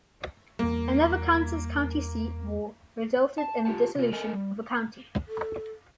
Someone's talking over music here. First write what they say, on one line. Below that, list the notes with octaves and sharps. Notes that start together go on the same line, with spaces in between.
Another Kansas county seat war resulted in the dissolution of a county.
E2 G3 A#3
A5
F4 G4 B4 F#5 A5
C3 F4
A4 A#4 D#5 G#5
G3
A4